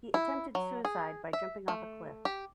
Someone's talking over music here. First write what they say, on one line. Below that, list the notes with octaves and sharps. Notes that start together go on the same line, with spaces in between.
He attempted suicide by jumping off a cliff.
E4
F#3
G#4
E5
A3
G4